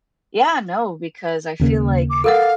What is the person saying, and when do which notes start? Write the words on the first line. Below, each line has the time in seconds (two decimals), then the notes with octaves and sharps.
Yeah, no, because I feel like,
1.60 D#2 C#3 A#3
2.10 D6
2.24 A4 A#4 F5 F#5 D6 A6